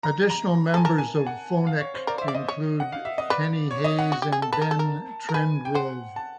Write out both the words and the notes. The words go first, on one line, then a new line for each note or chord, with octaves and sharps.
Additional members of Phonik include Kenny Hayes and Ben Trengrove.
A#5
A#5
A4 G#5
A#4 A5
G#5
F#5
F5
C#5
C5
A#4 D5
C5 E5
D5
D#5
C#5
F#5
F5
E5
D#5
B4 D5
C#5
D#5
F#5
F#4
G4
G#4
A4
B4 A5
A#4
A4
A#4
A#4
B4 G#5
G5
C5 F#5
A5